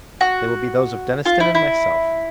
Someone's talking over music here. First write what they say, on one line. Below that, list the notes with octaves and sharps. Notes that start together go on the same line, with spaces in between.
They will be those of Deniston and myself.
F#4
F4
E4
E4